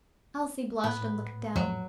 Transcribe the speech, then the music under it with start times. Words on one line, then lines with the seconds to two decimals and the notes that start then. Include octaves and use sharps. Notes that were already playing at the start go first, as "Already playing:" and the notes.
Elsie blushed and looked down.
0.84 A2 B3
1.56 F2 F#3